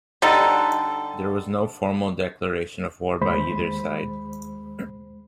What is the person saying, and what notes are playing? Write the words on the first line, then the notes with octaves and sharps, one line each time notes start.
There was no formal declaration of war by either side.
D3 G3 D#4 A4
D#2 G#3 C5 B5